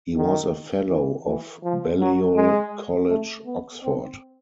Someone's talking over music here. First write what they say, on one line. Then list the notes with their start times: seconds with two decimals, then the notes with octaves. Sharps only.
He was a Fellow of Balliol College, Oxford.
0.16 D#3
0.89 E3
1.26 E3
1.63 F3
2.00 F#3
2.36 G#3
3.10 A3
3.46 B3
3.84 C4